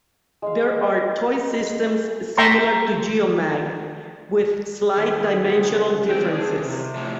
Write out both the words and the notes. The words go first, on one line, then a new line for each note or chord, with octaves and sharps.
There are toy systems similar to Geomag, with slight dimensional differences.
G#3 E5 F5
E5 G5 A5 A#5 C6 C#6
D#2 B3 C4 G#4
C#2
D2 E3 C4 G5
D4 G#4
C3
A2 F3